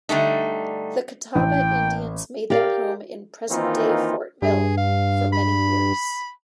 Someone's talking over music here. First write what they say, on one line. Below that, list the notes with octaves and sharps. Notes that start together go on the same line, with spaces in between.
The Catawba Indians made their home in present-day Fort Mill for many years.
D3 G3 A3 D#4
A1 G5
G4 A#4 D5 F5
D#3 E3 A#3 C4 D#4 F4
G2 G#4
F5
B5